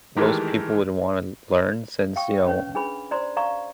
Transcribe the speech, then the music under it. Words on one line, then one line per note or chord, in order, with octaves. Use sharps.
most people would wanna learn since, you know,
D#3 E3 G#3 A3 G4 A#4
F5 G5 C#6
C#4 B4 C#5
D4 G#4 B4 B5
C5 D5 A#5 C6
D5 F5 A#5 C#6